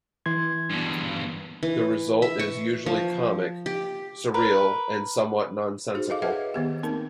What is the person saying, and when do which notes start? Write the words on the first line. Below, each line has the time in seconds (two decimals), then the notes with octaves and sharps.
The result is usually comic, surreal and somewhat nonsensical.
0.26 E3 C6 G#6
0.70 G2 B2
1.63 E3
2.22 E5
2.39 C#6
2.86 F3
3.66 G4
4.34 A#4 B4
5.94 D#4 F#4 G#4 C5
6.10 A4 D#5 F5 D6
6.22 G#4 B4 C#5 D#5 E5 F#5
6.54 D#3 B3 G4
6.83 A#3 C4 D#4 A#4